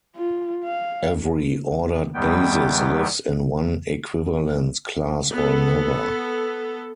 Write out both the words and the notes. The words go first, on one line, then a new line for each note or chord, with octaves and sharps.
Every ordered basis lives in one equivalence class or another.
F4
F5
E2 D#3 G3 B3 G5
B3 A4